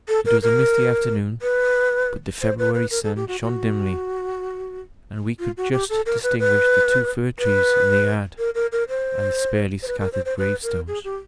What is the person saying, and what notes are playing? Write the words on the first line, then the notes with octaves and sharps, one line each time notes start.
It was a misty afternoon, but the February sun shone dimly, and we could just distinguish the two fir-trees in the yard, and the sparely-scattered gravestones.
A4
A#4
A#4
B4
C5
B4
B4
A#4
A4
G4
F#4
F#4
F4
F#4
G4
A4
A#4
B4
B4
B4
A#4
A#4
A#4
C5
C5
B4
A#4
C5
C5
B4
A#4
G#4
G4